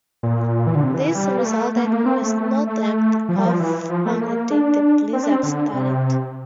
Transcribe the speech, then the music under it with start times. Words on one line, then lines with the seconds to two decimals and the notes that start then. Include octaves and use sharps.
This resulted in a snow depth of on the day the blizzard started.
0.23 A#2
0.67 E3
0.75 D3
0.83 C3
0.94 E3
1.00 D3
1.05 E3
1.15 G3
1.37 A#3
1.44 A3
1.76 A#3
1.84 A3
1.93 A#3
2.06 C4
2.22 A3
2.37 A3
2.67 A3
2.82 A3
3.29 F3
3.36 G3
3.45 F3
3.60 E3
3.89 F3
4.06 A3
4.21 A#3
4.51 D4
5.13 C4
5.23 D4
5.32 C4
5.43 D3
5.73 C3